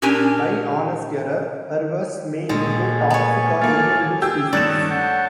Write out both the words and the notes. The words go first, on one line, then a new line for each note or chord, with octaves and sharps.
By honest error, harvests may include toxic or inedible species.
A#2 C#4 D4 G4 A#4 G#5
C#2 A#2 G#3 A3 G#5
B3 C#5
A3 A#3 F4 A4
G4 G#4 E6
G2 D#3 A3 C#4 D5 F#6 E7
C#5 F#5 G5 A5